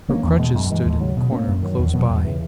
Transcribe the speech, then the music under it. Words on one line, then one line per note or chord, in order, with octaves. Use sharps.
Her crutches stood in the corner close by.
D#3 A#3 C#4
E2
B2 G#3
F#2
E3 G#3
D#2
C#3 F#3
B2
A#3 C#4
F#2
D#3 F#3
E2
B2 F#3 B3
E2
C#3 E3